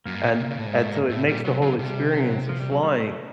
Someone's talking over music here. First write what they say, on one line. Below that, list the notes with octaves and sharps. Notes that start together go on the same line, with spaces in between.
and and so it makes the whole experience of flying
F#2 A#3
G2
A2
A#2
C3
C#3
A2
G#2
A3
A#3
A2 A3
A#2 G3
C3 F#3
C#3 F#3
C3 G3
F#3
F3
G3
F#3
G3
A3
A3